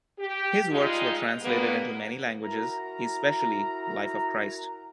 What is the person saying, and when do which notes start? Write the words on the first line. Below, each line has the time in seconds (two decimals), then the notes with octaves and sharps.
His works were translated into many languages, especially "Life of Christ".
0.19 G4
0.70 G3 G#3 D#4 F4
1.41 G2 G#3 A#3 B3
2.45 E4 F#4 A#4 A#5